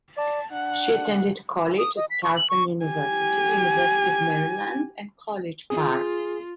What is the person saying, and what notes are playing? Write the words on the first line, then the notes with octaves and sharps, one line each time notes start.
She attended college at Towson University, University of Maryland and College Park.
D5 A5
D4 F#5
D#6
D#5
B6
C#6
F#7
C#6
G4 G#5
F4 G#4